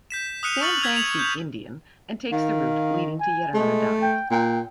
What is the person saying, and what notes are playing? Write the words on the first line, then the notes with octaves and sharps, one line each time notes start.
Sam thanks the "Indian" and takes the route, leading to yet another dive.
G6 B6 E7
D#6 F6 F#6 C#7 D#7 F7
C#6 E6 F6 A6 C#7 F#7
E6 F#6 G#6 B6 F7
F7
G6
D#3 F5
G#5
G#3 A3
G5
A#2 G5